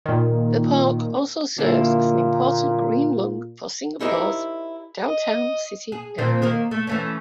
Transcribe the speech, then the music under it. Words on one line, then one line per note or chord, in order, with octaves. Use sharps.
The park also serves as an important green lung for Singapore's downtown city area.
A#2 D#3
A#2 D3 A#3 E4
D#4 E4 G4 A#4 C5 D#5
D#5
G#4
A#2 F3 C4
D#3 A#3 A#4
A3
E3 A3 C#4